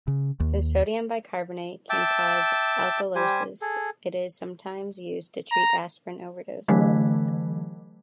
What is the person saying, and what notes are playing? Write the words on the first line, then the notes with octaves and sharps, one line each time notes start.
Since sodium bicarbonate can cause alkalosis, it is sometimes used to treat aspirin overdoses.
C#3
D#2
E5 G5 A5 D6
G3 G4 C5 G#5
G#4 A4
A#5
D3 E3 F#3 A3